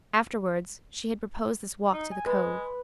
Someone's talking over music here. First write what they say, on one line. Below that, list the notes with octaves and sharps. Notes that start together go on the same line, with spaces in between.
Afterwards she had proposed this walk to the Cove.
D#4
G#5
G#3 B4